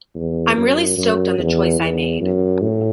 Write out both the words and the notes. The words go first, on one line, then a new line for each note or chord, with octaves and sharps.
I'm really stoked on the choice I made.
E2
F#2
F#2
E2
E2
F#2
A2